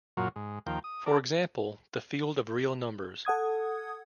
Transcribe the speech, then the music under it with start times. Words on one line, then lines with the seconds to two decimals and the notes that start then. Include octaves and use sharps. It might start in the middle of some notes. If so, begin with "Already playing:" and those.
For example, the field of real numbers.
0.17 F#2 A#2 F#3 F4
0.36 G#2
0.66 D#2 F3 A#3 G5
0.84 D#6
1.06 D4 A4 A#4 D5
3.25 A4 F#5 D#6 G#6